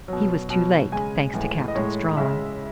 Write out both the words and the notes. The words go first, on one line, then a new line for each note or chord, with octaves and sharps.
He was too late--thanks to Captain Strawn.
B2 F#3
B2 F#3
C#3 G#3 G#5
A2 E3 G#3
D#5
A2 G#3 C#5
C#3 G#3 E5